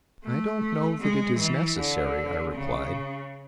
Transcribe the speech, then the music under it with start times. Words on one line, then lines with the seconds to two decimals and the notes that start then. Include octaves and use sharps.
"I don't know that it is necessary," I replied.
0.24 A3
1.00 G#3
1.38 E3
1.77 D3
2.53 C#3